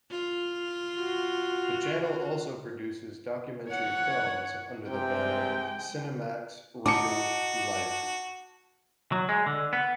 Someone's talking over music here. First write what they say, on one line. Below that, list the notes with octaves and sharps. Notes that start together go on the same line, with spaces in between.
The channel also produces documentary films under the banner "Cinemax Reel Life".
F4
F#4
C#5 F#5
C3 G#3 G5
D#4 F#4 A5 D6 C#7
F#3
G#3
D3
B3